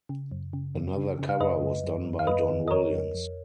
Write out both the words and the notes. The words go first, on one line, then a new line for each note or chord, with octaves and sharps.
Another cover was done by Don Williams.
C#3
F#2
C#3
F#2
C#3
C#3
F5
F#2 B4 D#5
F#2
F#2
F#2
F5
F#2 B4 D#5
D#3
D#5
F2 A#4 C#5
F2
F2